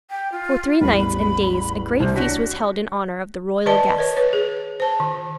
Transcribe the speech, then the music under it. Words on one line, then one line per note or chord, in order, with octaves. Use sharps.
For three nights and days a great feast was held in honour of the royal guests.
G5
F4
A1 E2 G3 B5
C2 C5
D4 F#4 C#5 B6
D#3 B4 D5 D#5 A5
A#4 B4 C#5
B4 C#5
G#4
C5 A5
D#3